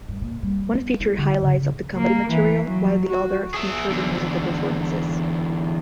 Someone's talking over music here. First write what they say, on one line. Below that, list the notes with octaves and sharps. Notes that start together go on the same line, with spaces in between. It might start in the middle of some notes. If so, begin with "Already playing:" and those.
One featured highlights of the comedy material, while the other featured the musical performances.
G2
A#2
G3
B3
E4
D3
C#3
A#3
E3
F#3
F#4
G#4 E5
E2 D3